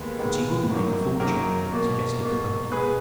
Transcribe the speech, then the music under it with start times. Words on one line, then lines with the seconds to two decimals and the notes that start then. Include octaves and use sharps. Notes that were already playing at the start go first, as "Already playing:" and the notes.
"But he wouldn't make a fortune," suggested the Poet.
Already playing: D#2 D#3 G#3 B3
0.19 D#2 D#3 G#3 B3
0.70 F#2 D#3 F#3 A#3
1.20 F#2 D#3 F#3 A#3 A#4
1.71 B2 A#3
2.21 B2 A#3
2.71 B2 G#3 B3 G#4 B4